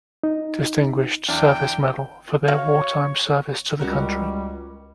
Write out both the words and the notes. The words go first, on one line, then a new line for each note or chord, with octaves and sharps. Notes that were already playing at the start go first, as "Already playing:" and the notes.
Distinguished Service Medal for their wartime service to the country.
D#4
E2 D4 G5 F6
F#4 C#5 F5
C#2 G3 C#4 F#4 A#4